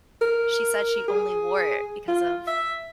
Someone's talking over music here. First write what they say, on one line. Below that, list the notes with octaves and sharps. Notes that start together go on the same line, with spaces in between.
she said she only wore it because of, eh
A#4
G#4
F4
E5